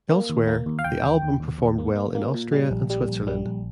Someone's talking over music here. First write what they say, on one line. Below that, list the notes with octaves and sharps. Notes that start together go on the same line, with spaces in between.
Elsewhere, the album performed well in Austria and Switzerland.
A#3
D#2
A#3
D#2
F5
D#2 G5
D#2
D#2
D#2
D#2
A#3
A#3
A#3
A#2
G3
A#1
G3
A#1
G3
A#1